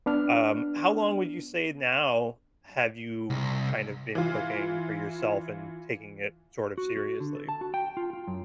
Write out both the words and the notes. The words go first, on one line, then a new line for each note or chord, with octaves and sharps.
um How long would you say, now, have you kind of been cooking for yourself and taking it sort of seriously?
B3 D4 F6
C2
E3 F4
F#4
F#4
D3
A4
A5
F#4
G5
F4
F4
F#2